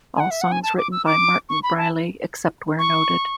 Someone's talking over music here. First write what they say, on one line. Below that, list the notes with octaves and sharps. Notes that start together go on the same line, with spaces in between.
All songs written by Martin Briley, except where noted.
G#5
F#5
E5
F#5
G#5
A5
D6
E6
D6
C#6
B5
A5
C#6